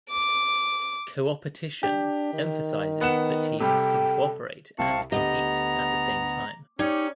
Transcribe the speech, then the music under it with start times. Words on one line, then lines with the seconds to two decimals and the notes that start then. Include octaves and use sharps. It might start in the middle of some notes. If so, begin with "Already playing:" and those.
Coopertition emphasizes that teams can cooperate and compete at the same time.
0.10 D6
1.83 D4 G4
2.34 D#3
3.01 B3 F#5 E7
3.60 C3 G3 A4 G5
4.79 C2 C4 F5 A5 C#6
5.12 D2 D#3 B3 G4 D#5 A#5
6.79 C#4 D#4 G4 C#5 D5 G#6